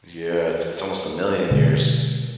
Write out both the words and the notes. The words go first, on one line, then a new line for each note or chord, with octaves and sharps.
Yeah, it's it's almost a million years.
B2 D3 G#3